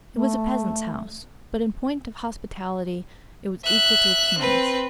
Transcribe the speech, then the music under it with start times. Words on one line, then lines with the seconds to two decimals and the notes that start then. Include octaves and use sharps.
It was a peasant's house, but in point of hospitality it was equal to a king's.
0.15 A3
3.64 E5 F#6
4.38 C4 B4